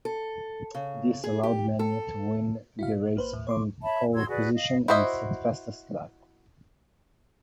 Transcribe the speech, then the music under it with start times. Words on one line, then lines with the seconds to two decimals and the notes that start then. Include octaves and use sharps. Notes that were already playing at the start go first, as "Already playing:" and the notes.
This allowed Menu to win the race from pole position and set fastest lap.
0.05 A4
0.75 C#3
1.24 G#4
1.43 G4
1.79 A4
2.79 E4 F#4 F5
2.92 A#2
3.15 A#1 A#3 B4 C5
3.33 D#2 A2
3.47 C#5 C6 D6
3.83 C#5 E5 A5 B5
4.14 F#4 C6 E6 G#6
4.28 F#4 G#4 B4 D5
4.55 D#5 F5
4.88 E4 F#4 C5 D#5 E5